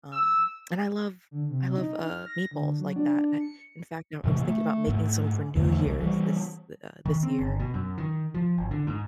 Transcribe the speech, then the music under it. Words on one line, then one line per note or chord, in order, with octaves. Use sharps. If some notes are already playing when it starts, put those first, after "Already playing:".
um, and I love I love, uh, meatballs like that. I in fact, now, I was thinking about making some for New Year's this the, uh, this year.
E6
D3
C3
D#4
F6
A#6
D3
F#3
D4
C#7
A2 C3 E3 G#3
A3
G#2 A3
E2 D3 E3 A3
C2
E3 G3
D#3
C4
G1
B2
F#2
D#3
F3
G#1
D3
G#2